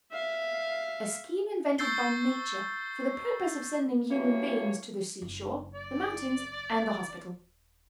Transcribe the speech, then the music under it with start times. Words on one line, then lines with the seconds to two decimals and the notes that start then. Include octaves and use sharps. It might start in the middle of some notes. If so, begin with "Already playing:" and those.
A scheme invented by Nature for the purpose of sending human beings to the seashore, the mountains and the hospital.
0.12 E5 F5
1.78 C#6 E6 G6 A6 C7 G7
4.10 F#2 A2 E3 G3 A#3 C#5
5.22 F#1
5.74 D5
6.46 D#1